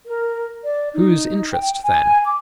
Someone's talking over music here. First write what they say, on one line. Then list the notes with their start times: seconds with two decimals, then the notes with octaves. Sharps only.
Whose interest then?
0.05 A#4
0.63 D5
0.93 D#4
1.51 G5
1.83 G#5
2.23 D6